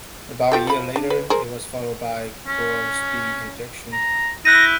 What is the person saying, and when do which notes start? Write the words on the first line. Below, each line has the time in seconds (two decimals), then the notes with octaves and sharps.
About a year later, it was followed by "Grow-Speed Injection".
0.52 F4 G4 A4
0.67 F3 B5
0.96 D4
1.10 B4
1.30 G#4 A#4 C5
2.47 C#4
3.93 A#5
4.45 E4 F#6 G6 A#6 D#7